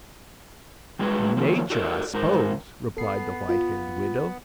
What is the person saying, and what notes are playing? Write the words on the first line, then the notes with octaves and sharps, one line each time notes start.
"Nature, I s'pose!" replied the white-haired widow.
G3 G#3 F#4 G#4 B4
D#3 F3 F#3 A#3 A#4
F#4 G4 A4 A#4 D5
G#2 A#4 C5
B3 A4 C7
F4